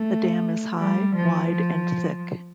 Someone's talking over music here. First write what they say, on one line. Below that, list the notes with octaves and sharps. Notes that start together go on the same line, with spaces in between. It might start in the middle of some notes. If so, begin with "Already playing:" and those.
The dam is high, wide and thick.
Already playing: A3
G3
F3
F3